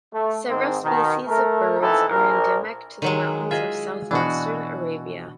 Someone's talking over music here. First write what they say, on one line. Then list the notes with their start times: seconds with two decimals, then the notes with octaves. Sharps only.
Several species of birds are endemic to the mountains of southwestern Arabia.
0.13 A3
0.50 G#2 D#3 C4
0.84 B2 D#3
1.28 A3 A#4
1.79 B2 E3 F3 C4 D#4 A4
2.10 A#1 A#4
3.02 D#3 F#3 G#3
3.51 F4 G#4 D#5 E5
4.11 B2 E3 D4 F#4